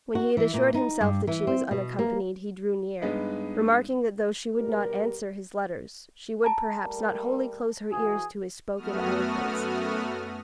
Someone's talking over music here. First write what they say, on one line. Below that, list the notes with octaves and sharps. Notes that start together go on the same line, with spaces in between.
When he had assured himself that she was unaccompanied he drew near, remarking that though she would not answer his letters she would perhaps not wholly close her ears to his spoken eloquence.
F#4
E3
A#2
D#4
G2
E3
C4
B2
A#3
G2 G#3 B3 D#4
B2 G3 G4 A#4
A5 A#5
G3 A3 A#4
E3 F#4 G#4
F#2 A3 B3 F#4 D#6 F6